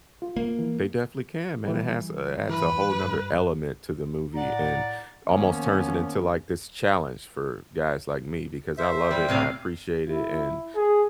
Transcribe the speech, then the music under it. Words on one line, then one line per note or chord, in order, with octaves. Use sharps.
They definitely can, man, it has a adds a whole 'nother element to the movie and almost turns it into, like, this challenge for guys like me because I love it, I appreciate it, and
F4
A#3
E3
E3 G3
G2 E3 B4
G2 F#6
A2 D5 F#5 A#5
D#3 F3 A#3 B3 C#4
C5 E5
G3
A2 C3 F5
E4
G#4